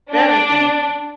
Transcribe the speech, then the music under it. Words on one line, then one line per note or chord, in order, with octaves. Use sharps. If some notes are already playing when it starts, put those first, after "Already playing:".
Very dangerous.
D4